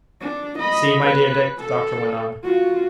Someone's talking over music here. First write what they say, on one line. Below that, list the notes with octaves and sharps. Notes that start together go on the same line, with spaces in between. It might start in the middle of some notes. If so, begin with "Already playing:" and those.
"See, my dear Dick!" the doctor went on.
D4
D#5 B5
B4
A4
F4 F#4